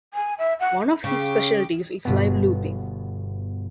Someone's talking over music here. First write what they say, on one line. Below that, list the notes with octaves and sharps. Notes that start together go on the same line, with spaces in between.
One of his specialities is live looping.
G#5
E5
F#5
C#3 G4
G1 B2 B3